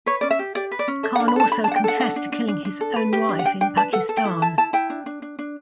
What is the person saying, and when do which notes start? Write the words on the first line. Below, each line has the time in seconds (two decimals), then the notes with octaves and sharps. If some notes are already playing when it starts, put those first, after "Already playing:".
Khan also confessed to killing his own wife in Pakistan.
0.06 B4 C#5
0.21 C#4 D5
0.31 E5
0.39 G4
0.55 G4 D5
0.71 B4
0.79 D5
0.88 C#4
1.03 A4 E5
1.16 F#5
1.20 D4
1.28 B5
1.36 A4 A5
1.52 D4 B5
1.64 A5
1.67 D4 F#5
1.76 G5
1.84 A4 F#5
1.99 D4 F#5
2.16 D4
2.32 D4
2.48 D4
2.65 D4
2.81 A4
2.96 B4
3.13 G4
3.29 D4
3.39 F#5
3.45 D4 G5
3.61 D4 G5
3.77 B4 A5
3.93 A4 F#5
4.09 A4
4.17 G5
4.25 E4
4.42 E4 A5
4.58 E4 A5
4.73 E4 G5
4.90 D4
5.06 D4
5.22 D4
5.39 D4